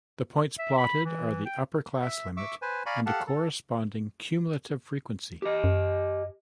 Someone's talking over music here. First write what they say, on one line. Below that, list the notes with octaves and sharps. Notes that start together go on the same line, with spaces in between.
The points plotted are the upper class limit and the corresponding cumulative frequency.
E5
B5
E3
G5
E5
E5 C#6 D6 E6
B4 C5 G#5
D5 F5 G#5 A#5 B5 C#6
G4 A4 F5 F#5 A5
A4
G4 D#5
F#2